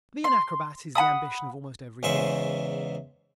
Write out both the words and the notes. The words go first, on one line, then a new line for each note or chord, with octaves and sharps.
To be an acrobat is the ambition of almost every boy.
C6
F#5 G#5 B5 D#6
E2 G#2 C#3 C5 E5 C#6